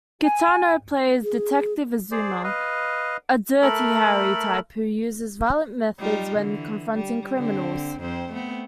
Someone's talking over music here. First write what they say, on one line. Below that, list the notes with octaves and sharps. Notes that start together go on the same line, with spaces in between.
Kitano plays detective Azuma, a "Dirty Harry"-type who uses violent methods when confronting criminals.
G#5
G#4
G#4 C5 D5
B4 D#5 F5
A3 A4 A#4 B5
G3 D#4 F4
D3 E3
G3
D3 C4
F2 C4 C5
A3 B3 C4